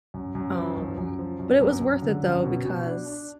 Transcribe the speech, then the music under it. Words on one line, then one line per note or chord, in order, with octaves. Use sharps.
Um, but it was worth it though, because
F#2
F#2
F3
F#2
F#2
F3
F#2
F#2
F#2
D3
F#2
B2
B2
D4
D4